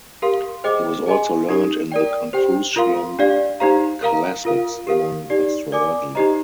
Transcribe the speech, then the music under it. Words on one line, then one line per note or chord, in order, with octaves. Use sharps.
He was also learned in the Confucian classics and in astrology.
G4 A#4 F5 C6
G#4 C5 D#5 G5 D6
G#4 D#5 G#5 C6
D#4 G4 A#4
A#4 D5 G5
G4 C5 G5
F4 A#4 F5 C6
D4 G4 D5 F5
D#4 G4 C5 F5 A#5
A#4 F5 A#5
F4 A#4 F5
G4 A#4 F5
D#4 G4 D5
A#4 D5 G#5 D6
D#4 G4 C5 D#5 A#5